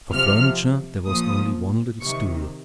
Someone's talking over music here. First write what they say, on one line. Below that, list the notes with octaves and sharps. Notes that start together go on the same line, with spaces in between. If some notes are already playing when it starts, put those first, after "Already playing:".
For furniture there was only one little stool.
C3 F3 F6
A#2 F3 D#6
C3 D#3 C#6